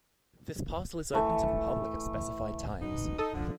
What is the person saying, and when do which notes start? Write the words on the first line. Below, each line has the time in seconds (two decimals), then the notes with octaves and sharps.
This parcel is open to the public at specified times.
1.13 E3 A3
2.81 B2 D#4
3.18 D#4 A4 D#6
3.34 D3 F3